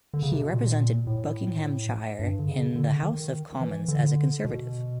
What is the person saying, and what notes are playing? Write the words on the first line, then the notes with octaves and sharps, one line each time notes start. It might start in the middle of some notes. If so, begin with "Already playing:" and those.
He represented Buckinghamshire in the House of Commons as a Conservative.
D3
C#3
C3
B2
A#2
A2
G2
D3
C#3
D3
D#3
E3
D3
B2